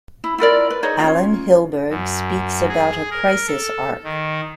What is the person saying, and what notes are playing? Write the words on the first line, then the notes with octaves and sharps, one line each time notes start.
Alan Hilburg speaks about a crisis arc.
E4
E4 F4 A#4 D5
B4
D#4 G#4 C#5 D#5
C#4 F4
F#2
G#4
A#4
A4
D#3